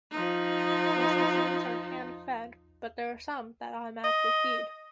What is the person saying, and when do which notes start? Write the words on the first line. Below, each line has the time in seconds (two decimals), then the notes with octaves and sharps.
Most machines are hand-fed, but there are some that automatically feed.
0.12 F3 D#4
4.04 D#5